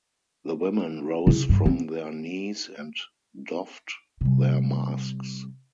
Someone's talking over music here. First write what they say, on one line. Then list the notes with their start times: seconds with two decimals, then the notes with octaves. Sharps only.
The women rose from their knees and doffed their masks.
1.27 C#3 E4
1.49 G2
1.66 C4
4.21 C3 G3